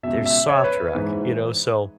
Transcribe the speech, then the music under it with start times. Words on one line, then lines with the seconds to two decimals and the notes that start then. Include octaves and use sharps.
there's soft rock, you know? So,
0.03 C#2 B2 E5
0.26 E5
0.49 C#5
0.64 B4
0.95 G#2 E3